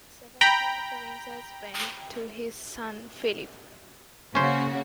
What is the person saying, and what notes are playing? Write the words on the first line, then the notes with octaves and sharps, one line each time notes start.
The Seventeen Provinces went to his son Philip.
G5 A#5 B5
C#3 A#3 C#4 F#4 C5